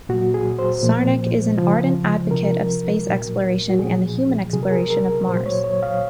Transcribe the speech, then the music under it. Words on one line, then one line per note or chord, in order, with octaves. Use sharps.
Czarnik is an ardent advocate of space exploration and the human exploration of Mars.
A#2 F#3 F#4
G#4
C5
A#2 F3
C#3 F3
C3 F3 A#4
A#2 F#3
F#4
A#2 F3 G#4
C3 F#3 G#4
A#4
G#4
A#4
A#2 F#3 C5
C#5
C#5
F5